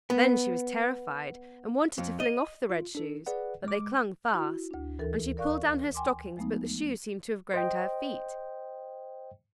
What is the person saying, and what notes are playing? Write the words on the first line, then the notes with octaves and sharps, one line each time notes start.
Then she was terrified, and wanted to fling off the red shoes, but they clung fast; and she pulled down her stockings, but the shoes seemed to have grown to her feet.
B3
F2
D#5
F4
D4 A4
G#4 B4 D5 F#5
G#3 D6
E4 F#4
D2 D4
D#2 E3 A4 A#4
A#4 D5 F5 C#6 F#6
G5 G#5 C6 D6
F3 G#3 A3 B3 D#4
C5 D#5 G5